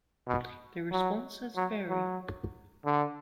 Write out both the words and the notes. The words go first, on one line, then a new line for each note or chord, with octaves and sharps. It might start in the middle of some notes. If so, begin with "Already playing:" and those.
Their responses vary.
B2
F#3
F#3
F#3
D3